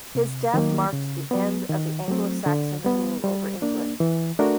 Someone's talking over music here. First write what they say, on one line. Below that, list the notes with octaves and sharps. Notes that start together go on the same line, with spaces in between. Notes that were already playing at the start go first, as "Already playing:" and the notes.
His death marked the end of Anglo-Saxon rule over England.
C3
D#3 F#3 A#3
C#3
F#3 B3
D#3
F#3 A3 C4
D3
G3 B3
G3
A#3 D4
E3
A3 D4 F#4 A#4